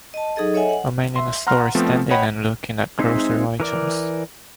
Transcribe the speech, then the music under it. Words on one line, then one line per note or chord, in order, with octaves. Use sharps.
A man in a store is standing and looking at grocery items.
D#5 A5
F#3 D#4 G#4 A4 D#5
A4 C#5 D#5 E5 F#5 G#5
F#5
E5 C6
F#5 A#5 C6 F6
F3 A3 B3 C4
C#5 D#5 F#5 G5 B5
G#3 C4 D#4 C5 E5
E3 A#4 D5